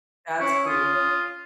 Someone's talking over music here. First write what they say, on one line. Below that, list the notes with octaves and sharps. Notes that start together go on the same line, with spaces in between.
That's cool.
C#4 E4 C#6
F4 D#6